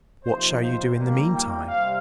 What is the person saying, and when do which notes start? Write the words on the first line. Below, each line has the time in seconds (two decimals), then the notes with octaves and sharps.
'What shall you do in the meantime?'
0.24 C3 F3 A#3 D#4 C5
0.61 C5
0.96 F2 D#3 G3 A#3
1.31 G5
1.67 C3 G3 C4 F5